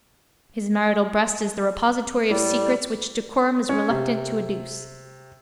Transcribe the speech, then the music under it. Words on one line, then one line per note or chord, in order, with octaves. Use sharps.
His marital breast is the repository of secrets which decorum is reluctant to adduce.
A2 G3 D5
C#4
C3